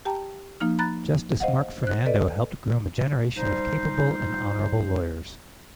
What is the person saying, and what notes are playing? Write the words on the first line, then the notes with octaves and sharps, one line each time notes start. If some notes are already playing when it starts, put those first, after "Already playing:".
Justice Mark Fernando helped groom a generation of capable and honourable lawyers.
G4 G5 A5 A#5
F3 A#3 D#4 F6
A#5 B5 F#6 A6
C5 D#5 F5 F#5
C5 F#6
A4 B4 D5 D#5
F3 G3 D#4 C5